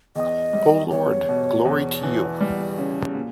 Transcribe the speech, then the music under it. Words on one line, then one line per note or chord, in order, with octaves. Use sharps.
O Lord, glory to You.
E2 D#5
G3
E2 C#5
B2
E2
E3
G3
C#3
A#2